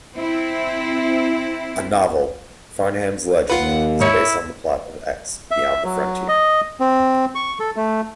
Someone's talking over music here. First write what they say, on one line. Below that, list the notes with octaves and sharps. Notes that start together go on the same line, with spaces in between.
A novel, "Farnham's Legend", is based on the plot of "X: Beyond the Frontier".
C4 E4
D#2 F4 B4 F#5
G#2 E4 C#5
E5
F#3
D#5
C4
C#6
A4
A3